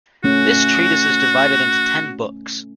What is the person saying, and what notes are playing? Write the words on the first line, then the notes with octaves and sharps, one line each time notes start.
This treatise is divided into ten books.
A3 C#4 F#4